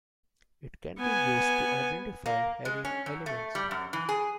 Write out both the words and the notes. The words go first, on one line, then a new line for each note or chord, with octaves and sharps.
It can be used to identify heavy elements.
B3 G#5
A#3
G#3
C#4
F#2
A3
G3
F#2
E3
G#4